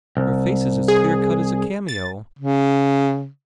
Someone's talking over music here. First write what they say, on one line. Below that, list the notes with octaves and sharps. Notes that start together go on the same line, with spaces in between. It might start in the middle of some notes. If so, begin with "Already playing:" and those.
Her face is as clear-cut as a cameo.
C2
G#4
A6
C#3